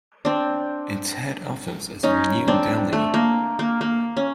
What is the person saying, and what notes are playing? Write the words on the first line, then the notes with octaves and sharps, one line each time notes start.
Its head office is in New Delhi.
C4 D4
C#4 D#4
C4 D4
A3
A#3
A#3
A#3
C#4